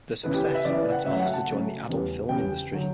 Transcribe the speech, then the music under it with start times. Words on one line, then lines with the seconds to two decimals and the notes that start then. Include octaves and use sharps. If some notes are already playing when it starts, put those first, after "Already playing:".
Their success led to offers to join the adult film industry.
0.23 C#3 E3 B3 B4
0.34 G4
0.44 B4
0.55 E5
0.65 C#3 E3 B3 D5
0.79 B4
0.92 F#5
1.06 C#3 F#3 A3 E5
1.20 F#5
1.33 A5
1.46 C#3 F#3 A3
1.89 E2 C#3 G3 B3
2.29 E2 C#3 G3 B3 G5
2.72 D3 F#3